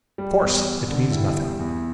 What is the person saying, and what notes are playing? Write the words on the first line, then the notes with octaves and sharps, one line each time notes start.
'Of course, it means nothing.'
G3
E2
E2
D3
G3 E4
E2
E2